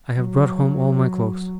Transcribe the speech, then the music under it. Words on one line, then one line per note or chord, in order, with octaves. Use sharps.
I have brought home all my clothes.'
F#3